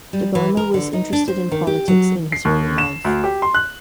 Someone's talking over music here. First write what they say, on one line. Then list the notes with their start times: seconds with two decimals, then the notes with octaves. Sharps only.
Debbarma was interested in politics in his early life.
0.13 G3
0.35 E3
0.57 A#4
0.74 D3
0.93 D#4
1.13 D4
1.28 C5
1.52 D#3
1.67 G4
1.88 F#3
2.32 C7
2.45 D#2
2.78 E7
3.05 D2
3.24 G4
3.42 C6
3.54 F#6